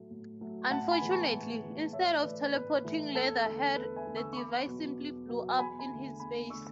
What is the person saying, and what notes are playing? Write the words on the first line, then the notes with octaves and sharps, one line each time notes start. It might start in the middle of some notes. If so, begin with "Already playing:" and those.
Unfortunately, instead of teleporting Leatherhead, the device simply blew up in his face.
Already playing: A2 F#3 A3
A2
F#3 A3
A2 F#5 A5
G#5 B5
E3 G#3 B3
A5 C#6
A2
E3 G#3 B3
A2 C#5 E5
E3 A3 B4 D5
A2 B4
E3 A3
E2 A4
D3 A3 A4
E2 B4
E5 G#5
D3 A3
C#6 E6
C#6
E2 B5 D6
B2 F#3 B3
E2
B2 F#3 B3
E2 G#5 B5
G#5 B5
D3
A3
E2 G#5 B5
D3 A3 C#6 E6